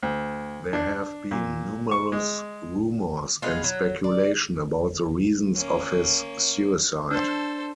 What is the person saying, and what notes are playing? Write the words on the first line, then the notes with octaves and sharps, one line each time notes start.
There have been numerous rumours and speculation about the reasons of his suicide.
D2
D4
A#2
C#6
G#3
G#3 B3 F4
F#3
D5
A#3 C#4
D4 A4 C5